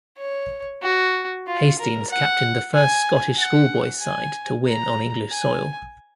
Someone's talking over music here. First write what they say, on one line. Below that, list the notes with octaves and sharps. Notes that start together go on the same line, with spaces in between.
Hastings captained the first Scottish schoolboys' side to win on English soil.
C#5
F#4
F4
A#4
F#5
G#5
F#5
G#5
A#5
G#5